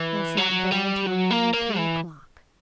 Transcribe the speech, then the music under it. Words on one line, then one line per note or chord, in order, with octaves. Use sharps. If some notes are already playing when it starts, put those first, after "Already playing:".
They sat there until nearly three o'clock.
Already playing: E3
F#3
G3
F#3
A#3
A#3
E3